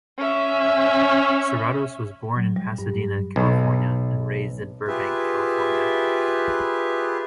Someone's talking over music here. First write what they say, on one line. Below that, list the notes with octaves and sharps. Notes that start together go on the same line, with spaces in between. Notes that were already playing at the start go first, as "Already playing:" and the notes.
Serratos was born in Pasadena, California and raised in Burbank, California.
C#4 E5
F#3
G3
G2
B1
F4 G4 G#4 B4 E5